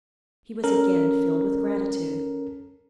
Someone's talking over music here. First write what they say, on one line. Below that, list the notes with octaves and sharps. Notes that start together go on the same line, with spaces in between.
He was again filled with gratitude.
C#4 A4 A#4